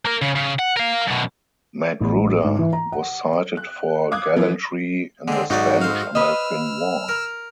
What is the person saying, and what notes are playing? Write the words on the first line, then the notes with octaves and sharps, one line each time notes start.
Magruder was cited for gallantry in the Spanish–American War.
A#3 A#4
C#3
C#3
F#5
A#4 F5
F#2 B2
A1
G#2
E3
A#5
F#5
F#6
F5 D6 D#6 F#6 G#6
E3 F3 E4
D3 G#3 C4
B1 G#2 F#3 D#4 F#4 D5
C5 F5
B4 D#5 E6 F6
A#4